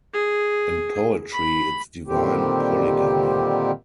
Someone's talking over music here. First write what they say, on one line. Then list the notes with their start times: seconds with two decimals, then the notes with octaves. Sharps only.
In poetry it's divine polygamy.
0.14 G#4
1.33 B5
2.07 A#2 D3 D#3 G3 C4 G4